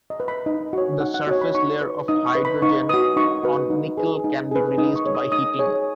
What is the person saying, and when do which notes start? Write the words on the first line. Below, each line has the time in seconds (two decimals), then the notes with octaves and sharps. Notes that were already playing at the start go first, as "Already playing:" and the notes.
The surface layer of hydrogen on nickel can be released by heating.
0.10 D#5
0.20 B4
0.28 B5
0.46 D#4 D#5
0.73 F#4 C#5
1.00 D#4 F#5
1.14 F#5
1.27 F#4 C#5 D#5
1.41 B5
1.54 D#4 C#6
1.81 B4
2.08 D#4 D#6
2.26 C#6
2.35 B4
2.45 B5
2.62 D#4 C#6
2.89 F#4 B4 D#6
3.17 D#4 C#6
3.43 F#4 B4
3.70 D#4
3.98 G#4 B4
4.24 D#4
4.51 G#4 B4
4.78 D#4 D#6
4.96 C#6
5.05 G#4 C#5
5.15 D#6
5.32 D#4 D#6
5.59 G#4 C#5